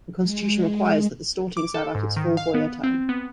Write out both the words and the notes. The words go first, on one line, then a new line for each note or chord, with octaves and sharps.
The Constitution requires that the Storting serve out its full four-year term.
G#3
D6
A4
G#2
D#3
F5
B3
C4
B3